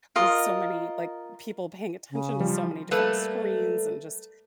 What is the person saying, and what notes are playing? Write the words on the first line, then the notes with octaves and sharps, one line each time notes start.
with so many, like people paying attention to so many different screens and just
F4 A#4 D#5
C#3
F3 G3
G3 A3 A#3 A4 B4